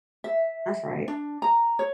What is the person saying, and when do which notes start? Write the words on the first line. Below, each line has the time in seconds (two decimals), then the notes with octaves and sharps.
That's right.
0.24 E5
1.08 D4
1.42 A#5
1.79 C#5